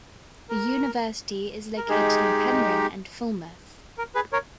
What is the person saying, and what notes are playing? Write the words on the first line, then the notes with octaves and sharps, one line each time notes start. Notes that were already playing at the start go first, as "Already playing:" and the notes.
The university is located in Penryn and Falmouth.
A#4
A#4
G#3 D#4 G4 G#4
A#4
G#4 B4
A#4 C#5